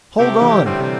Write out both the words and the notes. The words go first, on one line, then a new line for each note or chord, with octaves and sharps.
"Hold on!"
C3 A3 C4 E4 G4
E3
A2 D3 G3 C4
C3